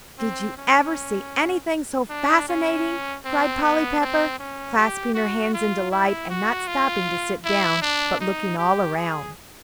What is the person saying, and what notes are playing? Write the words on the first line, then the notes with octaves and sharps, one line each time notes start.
"Did you ever see anything so fascinating?" cried Polly Pepper, clasping her hands in delight, and not stopping to sit down, but looking all around.
C4
C#4
D4
C#4
C4
B3
C4
C#4
G4
F#4
F4
E4
F#4
F4
E4
D4
D#4
G4
G#4